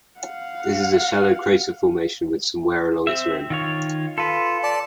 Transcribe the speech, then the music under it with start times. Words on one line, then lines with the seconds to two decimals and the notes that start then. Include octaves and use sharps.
This is a shallow crater formation with some wear along its rim.
0.20 F5 F#5
3.07 C4 E5
3.50 D#3 F4 C#5
4.18 F4 A4 B4
4.63 D5 A5